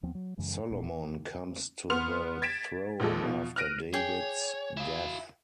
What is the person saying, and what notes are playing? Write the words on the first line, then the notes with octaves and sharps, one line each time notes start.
Solomon comes to the throne after David's death.
D#2 F3 B3 C4
F#3
F#2 C#3 E3 G#3
D#1 A#2 B3
B3 C6 F6 F7
G#6 A6 B6 D7 E7
A#1 F3 G#3 A4
B2 F3
F6 F#6 A#6 D7 D#7
G#4 C#5 G5
E4 F5